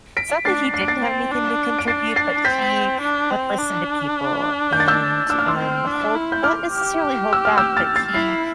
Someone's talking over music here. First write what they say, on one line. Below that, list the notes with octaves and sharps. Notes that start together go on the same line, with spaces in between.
It's not that he didn't have anything to contribute, but he would listen to people, and, um, hold not necessarily hold back, but he
B6 D7
D4 A6 C7
D4 C7
D7
A6 C7
C4
D4
D7
D4 A6 C7
A6 C7
C4 G6 B6
D4
C4
D4
G6
A6
E6 G6
D4 E6
F6
C6 E6
C4
D4
E4
G6
D6 F6
G4
E6
F6
E6 G6
F6 A6
A6 C7
E4 A6 C7